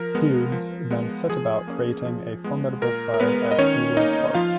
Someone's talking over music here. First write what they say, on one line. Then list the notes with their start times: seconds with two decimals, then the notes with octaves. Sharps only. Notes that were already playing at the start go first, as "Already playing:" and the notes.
Hughes then set about creating a formidable side at Ewood Park.
Already playing: F3 A#4
0.15 G#3 B3
0.52 F3
0.91 G#3 B3
1.29 F3 G#4
1.67 A#3 C#4
2.05 F3
2.44 G#3 B3
2.82 A#2 A#4
3.14 A#4
3.20 G#3 B3 B4
3.51 D#5
3.58 D#3 C#4 C#5
3.97 A#3 C#4 D#4 D#5
4.34 F3 F4 F5